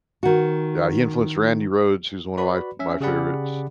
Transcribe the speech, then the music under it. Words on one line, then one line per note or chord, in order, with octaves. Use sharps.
Yeah, he influenced Randy Rhoads, who's one of my my favorites.
D#3 F#4
F#4 B4 D5 B5
C#4 E5
C#3 G4 G#4 D5 F#5 B5